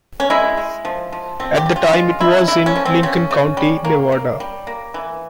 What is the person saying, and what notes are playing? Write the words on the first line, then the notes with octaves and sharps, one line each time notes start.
At the time, it was in Lincoln County, Nevada.
C#4
G#3 E4
G#3
F3
F3
F3 C4
G4
C#3
F4
G#3 F4
C#3 E4
C#3 E4
C#4
F3
C4
C#3 C#4
C#3
G3
A#3
A#3
G3
A#3
E3